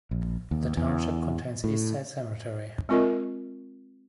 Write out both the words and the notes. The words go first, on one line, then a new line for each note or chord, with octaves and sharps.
The township contains East Side Cemetery.
A#1
D#2
E2
A2
G#3 C4 F4 A#4 D#5